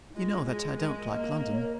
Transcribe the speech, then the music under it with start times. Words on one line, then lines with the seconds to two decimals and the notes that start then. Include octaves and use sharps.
You know that I don't like London.
0.10 D#4
0.15 G#3 F4
0.40 F4
0.46 G#3 G#4
0.77 G#3 A#4
0.93 D#5
1.09 A#3
1.40 D#5
1.51 C#5
1.61 A#4